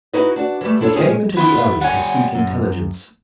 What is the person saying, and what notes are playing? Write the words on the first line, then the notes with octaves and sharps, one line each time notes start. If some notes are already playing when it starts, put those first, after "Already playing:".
He came into the alley to seek intelligence.
D#4 E4 F#4 B4 D#5
D4 F#4 D5
E3 G3 A3
D4 E4 F4 A4 C#5
A#2 C#3 C4 C#4 F4 G#4
B3 E4 E5 C6
G3 C#5 F#5 G#5
F#2